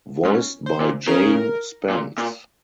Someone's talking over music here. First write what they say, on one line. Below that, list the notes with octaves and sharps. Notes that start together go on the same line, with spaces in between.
Voiced by Jane Spence.
G#2 C#4
C5
A#2
C#3 A#4
A#2
A#2